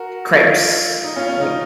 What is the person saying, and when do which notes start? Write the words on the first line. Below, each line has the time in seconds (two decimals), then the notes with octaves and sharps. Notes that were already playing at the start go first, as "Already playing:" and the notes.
Crepes, like,
Already playing: F#4 A#4
0.33 F4 A4
1.04 D#4
1.16 C#4 F4
1.28 C#4
1.41 D#4